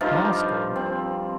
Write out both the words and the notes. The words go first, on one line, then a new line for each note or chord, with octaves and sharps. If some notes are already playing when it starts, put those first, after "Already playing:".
That's good.
G2 F3 D#4 F5
C4